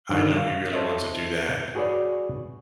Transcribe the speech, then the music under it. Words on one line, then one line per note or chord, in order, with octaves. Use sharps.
I know he really wants to do that,
G2 D3 D#3
F5
A4 C5 C#5 D#5 E5
F#4 G#4 B4 C#5 D5